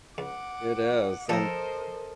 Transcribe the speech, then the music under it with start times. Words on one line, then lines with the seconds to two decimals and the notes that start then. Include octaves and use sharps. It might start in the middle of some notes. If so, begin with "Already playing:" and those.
It is, and
0.18 C#2 F#5 D6
1.29 F3 G3 A#3 A4 A#4 C5 D#5